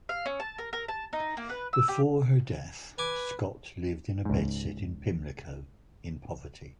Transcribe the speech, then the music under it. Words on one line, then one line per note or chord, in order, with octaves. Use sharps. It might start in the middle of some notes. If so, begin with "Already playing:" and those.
Before her death, Scott lived in a bedsit in Pimlico in poverty.
F5
C#4
A5
A#4
A#4
A5
D#4
A#3
B4
E6
G4
B4 G#5 D6
C#2 G#2